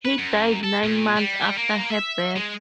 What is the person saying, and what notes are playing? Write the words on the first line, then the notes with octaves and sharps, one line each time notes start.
He died nine months after her birth.
B4
F#2
A4
A#2
G3
A#3
E5
G#3